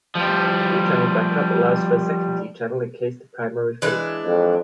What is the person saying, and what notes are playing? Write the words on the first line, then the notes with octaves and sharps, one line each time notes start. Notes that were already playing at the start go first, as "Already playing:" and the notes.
D-channel backup allows for a second D channel in case the primary fails.
F3 G3
E3 G#3 D4
F2